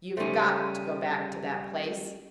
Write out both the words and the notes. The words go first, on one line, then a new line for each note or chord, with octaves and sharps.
"You've GOT to go back to that place?"
C#3 G3 A3 C#4 D#4 G4 C5